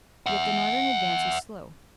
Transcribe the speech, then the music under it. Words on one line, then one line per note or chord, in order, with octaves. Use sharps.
Yet the Northern advance was slow.
E5 F#5